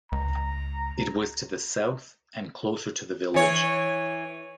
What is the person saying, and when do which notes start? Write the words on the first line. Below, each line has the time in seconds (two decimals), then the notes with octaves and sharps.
It was to the south and closer to the village.
0.12 C#2 A#5
3.34 E3 C#5